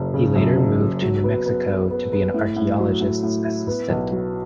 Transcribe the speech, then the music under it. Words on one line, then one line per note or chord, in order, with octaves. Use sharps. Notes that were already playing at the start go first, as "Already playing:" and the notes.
He later moved to New Mexico to be an archeologist's assistant.
Already playing: F#1 F#2
C#3
F#2
F#1
F#1
F#3
B3
B3
B3
B3
B3
A2
A2
F#3
A2
A2
E4
B3
B1
F#3